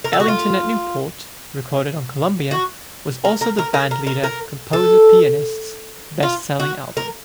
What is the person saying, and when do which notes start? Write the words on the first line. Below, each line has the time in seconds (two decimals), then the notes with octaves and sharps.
Ellington at Newport, recorded on Columbia, was also the bandleader-composer-pianist's best-selling album.
0.04 A#4
0.13 A4
0.20 F#4
0.28 F4
2.51 F#4
3.25 A#4
3.41 A#4
3.58 A#4
3.74 A#4
3.91 A#4
4.07 A#4
4.24 A#4
4.73 A4
6.23 F4
6.60 F#4
6.97 A#4